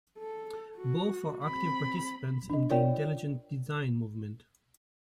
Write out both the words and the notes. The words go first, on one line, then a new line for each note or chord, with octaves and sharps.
Both are active participants in the intelligent design movement.
A4
F#4
C4 B5
D4 D#5
F4 A#4 C#5 D5 G5